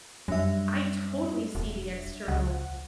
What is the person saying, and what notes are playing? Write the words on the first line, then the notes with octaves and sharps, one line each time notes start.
I totally see the external
F#2 G3 D4 E5
E1
C#2 F#5